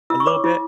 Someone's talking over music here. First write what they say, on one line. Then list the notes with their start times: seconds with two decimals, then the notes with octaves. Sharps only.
a little bit?
0.10 E4 E6
0.20 C#6
0.27 C#5 D6
0.44 E4